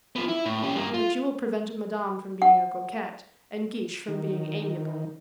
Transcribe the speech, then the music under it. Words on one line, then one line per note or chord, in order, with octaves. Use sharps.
"That you will prevent Madame from being a coquette and Guiche from being amiable."
F3 B3
E4
A2
C#4 G4
G2 A#3
F4
F#5
D#3